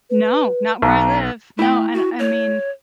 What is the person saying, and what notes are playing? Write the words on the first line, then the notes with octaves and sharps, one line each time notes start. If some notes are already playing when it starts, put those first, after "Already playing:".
No, not where I live. No, and I mean,
B4
B1 A#5
A3 E4 G5
F#4
C#5